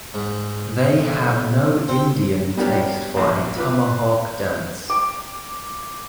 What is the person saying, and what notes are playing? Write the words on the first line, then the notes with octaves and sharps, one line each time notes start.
They have no Indian taste for a tomahawk-dance.
G#2
B1
C4
G3 B3 C#4 D4 G4 A#4
A#1
F4 B4 D6
D6